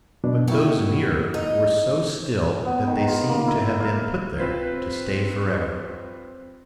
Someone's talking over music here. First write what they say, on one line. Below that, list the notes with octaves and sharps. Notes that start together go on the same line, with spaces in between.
But those nearer were so still that they seemed to have been put there to stay forever.
F#2 B2 D4
A#3 E4 F#4 G4
D#4
B3
D#3
F4
A#3
E4
F5
C4 F4 B4 C5